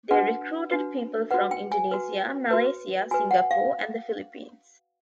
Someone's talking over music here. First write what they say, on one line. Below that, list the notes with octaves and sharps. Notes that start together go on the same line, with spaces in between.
They recruited people from Indonesia, Malaysia, Singapore, and the Philippines.
D4 F#4 B4 F#5
D4 F#4 B4
F#4 B4 F#5
G5
G#5
F#4 B4
F#4 B4
F#4 B4 G#5
F#5
F5